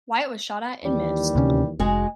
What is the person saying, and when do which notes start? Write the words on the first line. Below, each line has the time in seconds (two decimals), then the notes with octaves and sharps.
Wyatt was shot at and missed.
0.85 D#2 E3 G3
1.35 D2 C3 C#4
1.80 F1 G#3 F#4 G#4